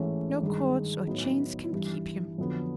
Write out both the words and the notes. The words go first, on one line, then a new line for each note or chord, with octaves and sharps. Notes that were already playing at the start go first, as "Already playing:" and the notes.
No cords or chains can keep him.
Already playing: A1 G#2 E3 A3 C#4
G2 D#3 G#3
A2 F#3 B3 D#4
G2 E3 G3
F2 D3 F#3 B3